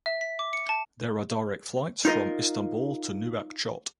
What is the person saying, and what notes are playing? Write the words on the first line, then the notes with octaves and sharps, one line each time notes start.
There are direct flights from Istanbul to Nouakchott.
E5
B6
D6
C#7
A5
D#4 F4 A#4 D#5